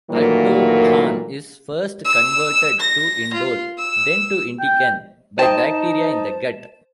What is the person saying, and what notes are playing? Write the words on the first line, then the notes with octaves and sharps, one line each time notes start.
Tryptophan is first converted to indole, then to indican by bacteria in the gut.
A#2 D#3 E3 F#3 A3 A#3
E6
A#6
F4
E6
G5
D#4 C5 D#5 G5 A5